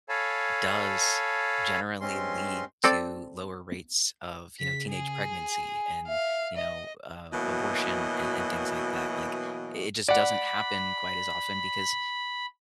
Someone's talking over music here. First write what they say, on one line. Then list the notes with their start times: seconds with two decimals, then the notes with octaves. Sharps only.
does generally lead to lower rates of, you know, teenage pregnancy and, you know, uh, abortion and and things like that. Like, it it just doesn't happen quite as often because
0.09 A4 C#5 F5 G#5 A5 B5
2.01 G2 G#3 C4 C#4 C6
2.84 C4 A4 D5 A5
4.59 C#3 B6
4.90 G#4
5.30 G#5
6.08 E5 F5
6.57 D#5
7.32 B2 E3 F#3 A#3 D#5
10.08 D5 F#5 B5